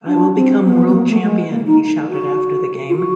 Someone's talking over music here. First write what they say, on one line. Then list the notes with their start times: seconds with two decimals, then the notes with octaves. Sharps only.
"I will become world champion", he shouted after the game.
0.07 D4
0.35 C4
0.64 B3
0.87 B3
0.94 A#3
1.08 A3
1.22 G#3
1.51 A#3
1.66 D#4
2.09 F#4
2.89 F4
2.95 F#4